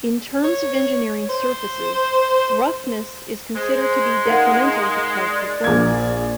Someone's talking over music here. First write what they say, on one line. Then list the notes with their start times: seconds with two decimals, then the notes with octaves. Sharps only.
In terms of engineering surfaces, roughness is considered to be detrimental to part performance.
0.44 C#5
1.29 C5
3.55 G#3 C5
4.26 D#4 A#4 F5 F#5
5.29 D5
5.64 A#1 A#3 G#6